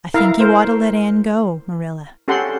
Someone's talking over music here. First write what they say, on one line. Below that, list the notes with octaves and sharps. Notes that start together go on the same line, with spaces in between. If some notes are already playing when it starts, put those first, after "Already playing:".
"I think you ought to let Anne go, Marilla."
E4 A#4 E5 F5 A#5
A#4 C5
C#4 G4 A4 F#5 C6